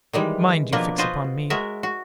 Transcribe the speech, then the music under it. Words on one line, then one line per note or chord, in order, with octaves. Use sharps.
Mind you fix upon me!
D#3 E3 G3 G#3
B2 F3 A#3 D4 A#4 B4
F4 F#4 B4 C5 D#5
G#3 F#4 A#4 E5
F#4